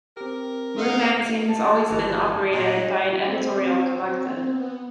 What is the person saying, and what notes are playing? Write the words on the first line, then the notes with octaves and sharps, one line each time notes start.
"Room" magazine has always been operated by an editorial collective.
C4 G4 A#4
D#4 D#5 F5 F#5
A5
G1 E3 A#5
A#2 D4 G#4 D#5
C4
B3